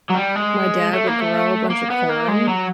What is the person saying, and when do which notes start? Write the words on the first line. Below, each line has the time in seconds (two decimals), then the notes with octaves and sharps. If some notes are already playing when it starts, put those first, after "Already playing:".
my dad would grow a bunch of corn,
0.10 F#3
0.15 G3
0.36 G#3
0.93 A3
1.07 A#3
1.20 A3
1.70 A#3
1.90 B3
2.09 A#3
2.28 G#3
2.48 F#3